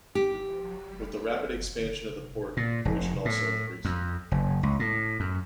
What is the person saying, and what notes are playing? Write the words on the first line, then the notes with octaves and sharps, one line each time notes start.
With the rapid expansion of the port pollution also increased.
G4
A#2
F1
A2
F2
F#1
C#2
A2
F#2